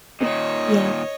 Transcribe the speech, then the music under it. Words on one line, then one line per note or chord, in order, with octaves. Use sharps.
M Yeah.
A#2 D#3 C#5 D#5